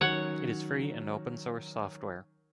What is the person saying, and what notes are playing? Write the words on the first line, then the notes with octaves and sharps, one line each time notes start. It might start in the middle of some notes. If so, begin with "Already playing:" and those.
It is free and open-source software.
D#3 F#3 C#4 C#5 F#5